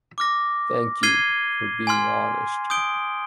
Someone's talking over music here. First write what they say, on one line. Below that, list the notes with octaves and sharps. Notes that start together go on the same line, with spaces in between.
Thank you for being honest.
D6 F6 A#6
F6 G#6 C7 D#7 G7
G#5 C6 F6
D#6 G6 D7 G7